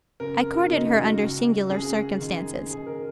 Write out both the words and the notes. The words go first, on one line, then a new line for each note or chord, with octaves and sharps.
I courted her under singular circumstances.
F#2 C#3 A#4
F#4
F#2 C#3 D#4
F#4
C#2 C#3
C#2 C#3 G#4
F#2 D#3
F#2 D#3 G#4
A#4